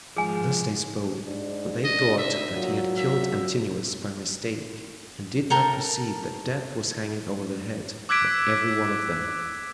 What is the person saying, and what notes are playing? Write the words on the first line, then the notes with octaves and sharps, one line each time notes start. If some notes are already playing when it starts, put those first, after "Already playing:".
Thus they spoke, for they thought that he had killed Antinous by mistake, and did not perceive that death was hanging over the head of every one of them.
G#2 D#3 F3 G#3 G#4 G#5
G#2 D4
D4 D#5
C#2 E5
A#2 F#3
A#2 E5
A4 A#4 G5 A#5
D6 E6 F#6 G#6 B6 D7